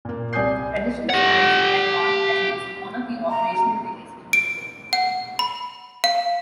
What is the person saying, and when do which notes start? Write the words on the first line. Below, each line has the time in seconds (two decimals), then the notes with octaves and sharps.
Tradition stands that on at least one of the operational days it will rain.
0.05 A#2 A#3
0.33 C2 D5 G#5 D#6 G6 C7
1.10 G4 F#5
3.29 A#5
4.33 D7
4.93 F#5
5.39 B5
6.04 F5